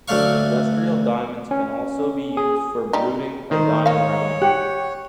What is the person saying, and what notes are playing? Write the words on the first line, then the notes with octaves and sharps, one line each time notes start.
Industrial diamonds can also be used for bruting a diamond round.
D2 F#3 A3 D5 F5 C#6
C#4
G#4
G3 D#4
D#3 C5
A#3 C#5 F5
G4 F#5